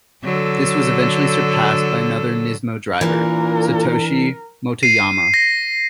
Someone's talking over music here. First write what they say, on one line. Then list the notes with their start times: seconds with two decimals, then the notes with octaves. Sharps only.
This was eventually surpassed by another Nismo driver, Satoshi Motoyama.
0.23 D3 F#3 A4
3.01 A#2 E3 D4 A#4
4.83 C7 D#7
5.34 A#6